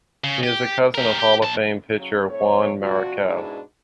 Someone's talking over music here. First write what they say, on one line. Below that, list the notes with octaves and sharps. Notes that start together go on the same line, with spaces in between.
He is a cousin of Hall of Fame pitcher Juan Marichal.
C#3
G4
G4 A#4
G4
A#2 A5
C#3 F#3
A2 A3 C4 C#5
C3 F3 D4 F#4
G#2 B2 G#3 D4 E4 G#4